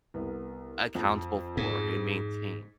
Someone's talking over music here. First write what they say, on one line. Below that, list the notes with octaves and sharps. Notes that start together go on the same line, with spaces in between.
accountable for and maintain.
C2 B3
F2
G#2